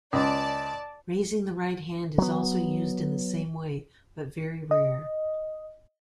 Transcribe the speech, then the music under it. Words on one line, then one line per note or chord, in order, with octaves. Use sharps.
Raising the right hand is also used in the same way but very rare.
C#2 D5 A5
F#3 B3
D#5